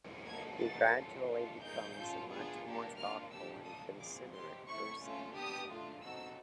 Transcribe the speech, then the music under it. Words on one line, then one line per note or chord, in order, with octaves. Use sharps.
He gradually becomes a much more thoughtful and considerate person.
A#3 D#4 F#4 A4 G#6
A#3 D#4 F#4 A4 A6
C#4 F4 A4
D4 F4 A4
A#3 D#4 G#4 G6
C#4 F4 A4
B3 D4 F4 G#4
A#3 D4 G4
A#3 D4 F4 F6
D4 G4 E6
D4 F4 A4 D#6
C4 F4 G#4 D6
C4 D#4 G4 C6
A3 C4 E4 C#6
A3 C#4 F4 A4
B3 D4 G4 D#6
A3 D4 F4
C4 D#4 F#4 A4 E6